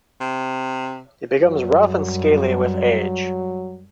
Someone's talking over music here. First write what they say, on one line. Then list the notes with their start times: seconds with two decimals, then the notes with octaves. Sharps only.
It becomes rough and scaly with age.
0.20 C3
1.40 F#2 F#3 G3